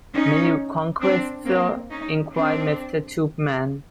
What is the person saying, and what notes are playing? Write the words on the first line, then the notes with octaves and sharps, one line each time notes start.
'Many conquests, sir?’ inquired Mr. Tupman.
C#4 D#4
C4 D4
A#3 C4
C#4 D#4
C4 D4